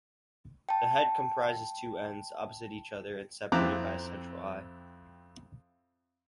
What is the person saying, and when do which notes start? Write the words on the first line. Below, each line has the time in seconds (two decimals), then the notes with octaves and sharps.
The head comprises two ends, opposite each other and separated by a central eye.
0.69 G5 A5
3.52 F2 C4 E4 A#5 D6 F#6